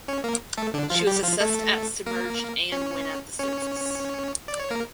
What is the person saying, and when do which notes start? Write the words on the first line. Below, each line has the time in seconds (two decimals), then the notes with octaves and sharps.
She was assessed at submerged and when at the surface.
0.08 C#4 C#5
0.24 A#3 A#4
0.58 A3 A4
0.74 D3 D4
0.90 F3 F4
1.07 G3 G4
1.23 F3 F4
1.40 A3 A4
2.06 A#3 A#4
2.72 C#4 C#5
3.39 C#4 C#5
4.48 D5
4.60 C#5
4.70 A#3 A#4